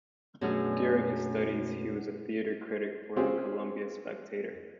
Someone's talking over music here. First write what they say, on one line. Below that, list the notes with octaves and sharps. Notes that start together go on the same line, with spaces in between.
During his studies, he was a theater critic for the "Columbia Spectator".
F#2 B2 A3 D4 G#4 F6
C4 C#4 F4 G4 G#4